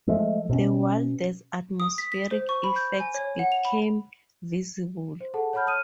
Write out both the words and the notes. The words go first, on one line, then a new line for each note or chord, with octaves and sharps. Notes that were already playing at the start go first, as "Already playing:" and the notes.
The wildest atmospheric effects became visible.
F3 G#3 A3
B2 C#4
D#6
B6
B6
C5
C#6
B5
G6
G#5
C#5
F#5
F7
B5
C5
G#4 A4 F#5 A5
C#5 F#5 A5 B5 F6 G6
C#5 D#6 F6 D#7